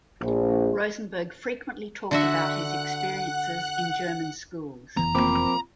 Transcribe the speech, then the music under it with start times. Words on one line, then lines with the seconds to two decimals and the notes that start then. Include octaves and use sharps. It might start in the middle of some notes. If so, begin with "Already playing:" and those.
Rosenberg frequently talked about his experiences in German schools.
0.21 A#1
2.11 D3 F#4 E5 F#5 F#6
4.97 F1 E3 B3 A#5
5.15 F3 A#3 C4 B5 D6